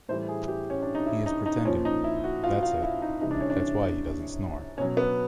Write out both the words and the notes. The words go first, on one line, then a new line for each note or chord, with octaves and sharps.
He is pretending. That’s it. That’s why he doesn’t snore.
A2 E3 G3 C5
G#4
G4
C#4
D4
D#4
E4
D#4
D#4
A#2 F3 C#4
D#4
E4
F#4
F4
F4
E4
D#4
C3 E3 G3 D#4
D4
C#4
D4
B2 F#3 C#4
B3